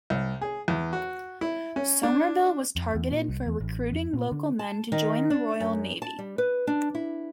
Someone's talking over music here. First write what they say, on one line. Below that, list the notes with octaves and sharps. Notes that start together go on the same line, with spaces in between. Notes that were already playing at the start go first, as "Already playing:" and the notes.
Somerville was targeted for recruiting local men to join the Royal Navy.
C2
G#4
E2
F#4
E4
C#4
D4
F2
E2
A#2
C2
E2
A1
F2
A#2
D3
A5
D#3
D4
F#2
A5
G3
B4
D4
E4